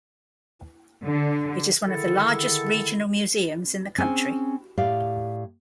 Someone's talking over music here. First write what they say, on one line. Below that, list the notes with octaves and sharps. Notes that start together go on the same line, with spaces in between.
It is one of the largest regional museums in the country.
D3
D3 D#3 E4 G#4 A4
C4 C#4 G#4 G#5
A2 G4 D5 F5